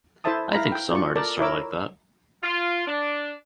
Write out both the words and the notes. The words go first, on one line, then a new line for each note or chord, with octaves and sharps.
I think some artists are like that.
E4 A4 C5 E5 A5 D#6
E4 F5 A#5 B5
G5
F4 D5 C#6
A4 A#4 D5 A5
E4 A#4 C#5 D6 E6
F4
D4